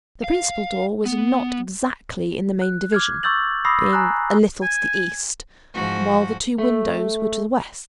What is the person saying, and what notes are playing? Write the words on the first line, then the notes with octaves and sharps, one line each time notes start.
The principal door was not exactly in the main division, being a little to the east--while the two windows were to the west.
F5
B3
F#6
D6 F6 G#6
C#6 D6 E6 G6 A6 F#7
B5 C#6 D#6 E6 A#6 C7
G#5 A#5 F#6
G#5
G#2 F3 F#4
A3